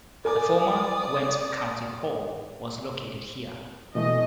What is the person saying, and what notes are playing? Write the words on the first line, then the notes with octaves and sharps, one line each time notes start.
The former Gwent County Hall was located here.
A#4 D5 G#5 D6 D#6
B2 E3 A3 D#5